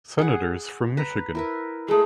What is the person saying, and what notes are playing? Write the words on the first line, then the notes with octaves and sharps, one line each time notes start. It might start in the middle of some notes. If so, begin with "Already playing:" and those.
Senators from Michigan.
G#4 F#5
B4 A#5
E4 A#4 B4
G#3 A3 G#4